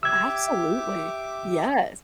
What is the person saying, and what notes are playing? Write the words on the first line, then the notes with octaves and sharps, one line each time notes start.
Absolutely. Yes.
G4 E5 D6 E6 G#6